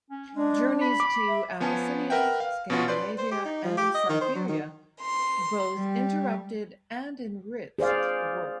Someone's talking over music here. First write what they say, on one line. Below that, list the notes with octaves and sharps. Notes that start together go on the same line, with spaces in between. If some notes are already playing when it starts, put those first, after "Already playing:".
Journeys to Abyssinia, Scandinavia and Siberia both interrupted and enriched the work.
C#4
G#3 D4
B5
D6
E5
F3 B3 C#4 G#5 A5
A#4 B4 E5 F#5 G5
F5
B2 B3 C#4 F4 F#4
B4 D5 C6 G6
C5
G4
D#4
F3
G4
D#5
D#3
C5
F#3
D#3
C6
G3
G#4 C5 D5 F5